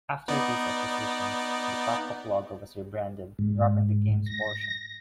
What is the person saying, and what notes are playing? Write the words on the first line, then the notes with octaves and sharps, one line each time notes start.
After these acquisitions, the PopCap logo was rebranded, dropping the "Games" portion.
B3 D#4 D5
G#2
A#6